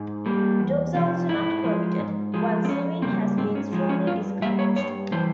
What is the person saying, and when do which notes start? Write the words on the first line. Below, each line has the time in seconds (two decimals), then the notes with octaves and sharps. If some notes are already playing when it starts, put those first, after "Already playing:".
Dogs are also not permitted, while swimming has been strongly discouraged.
Already playing: G#2
0.26 G3 A#3
0.60 E2
0.95 C3 F3
1.29 G#2 E4
1.64 F3 G#3
1.99 G#2
2.34 F3 G#3
2.65 C4
2.68 F2 C#4
3.02 C#3 G3 A#3 C4
3.38 G#2 C4
3.55 C#4
3.72 F3 G#3
3.89 C#4
4.07 G2 F4
4.42 G3 A#3 E5
4.59 C#5
4.76 G2 C#5
5.12 E3 G3 C5